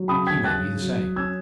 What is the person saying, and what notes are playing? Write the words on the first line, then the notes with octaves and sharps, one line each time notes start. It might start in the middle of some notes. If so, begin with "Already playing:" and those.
He may be the same.
Already playing: F#3
C#3 B5 D#6
G#6 B6
F#3 F#6 A6
F#3
C#4 E6 G#6